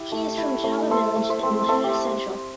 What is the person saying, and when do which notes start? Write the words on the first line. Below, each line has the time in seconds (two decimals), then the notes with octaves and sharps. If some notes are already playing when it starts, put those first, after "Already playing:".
He is from Java Village in Buhera Central.
Already playing: E4 G4
0.12 A3
0.38 E4
0.64 A3
0.91 A3 A4 C5
1.16 A3
1.30 C5 E5
1.43 C4
1.68 A3 A4 C5
1.84 G4